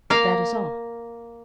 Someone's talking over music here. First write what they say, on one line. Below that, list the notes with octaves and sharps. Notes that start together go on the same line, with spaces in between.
But that is all.
A#3 F5